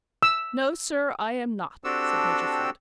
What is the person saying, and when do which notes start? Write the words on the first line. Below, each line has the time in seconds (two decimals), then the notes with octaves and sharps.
"No, sir, I am not," said Major Flint.
0.23 E6
1.84 C4 D4 F#4 G4 A4 E6